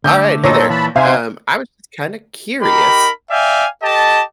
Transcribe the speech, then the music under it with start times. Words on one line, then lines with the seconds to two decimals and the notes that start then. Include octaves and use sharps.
Alright, hey there. Um, I was just kinda curious,
0.04 D3 A3 E6 G6
0.44 A#2 D#4 A4 C#5 A#6
0.70 E3 A5 B5
0.96 C3 D#4 C5 E5 F5 G#5
2.61 D#4 G4 A#4 B5
3.30 D5 E5 F5 G5 G#5
3.83 G4 A4 D#5 A5